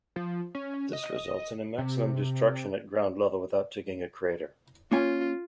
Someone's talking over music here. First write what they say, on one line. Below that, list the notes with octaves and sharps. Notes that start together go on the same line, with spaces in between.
This results in a maximum destruction at ground level without digging a crater.
F3
C#4
D#5
C3
A#3 C#4 F4 G#5